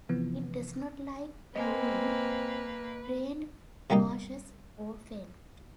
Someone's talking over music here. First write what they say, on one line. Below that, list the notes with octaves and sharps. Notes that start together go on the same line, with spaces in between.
It does not like poorly drained marshes or fen.
C3 E3 F3 B3
A#3 C4 B4 D#5 G#5
C3 G3 A#3 D#4 G4